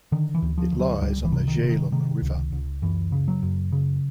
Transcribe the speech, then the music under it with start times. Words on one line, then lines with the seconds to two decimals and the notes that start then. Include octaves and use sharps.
It lies on the Jhelum River.
0.12 D3 D#3
0.35 E3
0.42 D2
0.58 F3
0.72 D2
0.80 F#3
1.02 C#2 G3
1.25 E3
1.32 C3
1.47 D#3
1.62 C3
1.69 D#3
1.92 C3 D#3
2.22 C#2
2.52 C#2
2.82 F#2 E3
3.12 C#3
3.28 F#3
3.42 F#2
3.72 C#3